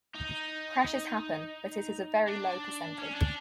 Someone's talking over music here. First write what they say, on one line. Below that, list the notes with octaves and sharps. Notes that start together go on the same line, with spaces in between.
Crashes happen but it is a very low percentage.
D#4
D4
C#4
D4